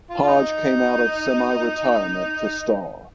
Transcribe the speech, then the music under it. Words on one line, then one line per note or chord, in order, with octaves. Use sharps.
Hodge came out of semi retirement to star.
F4
F4
D#4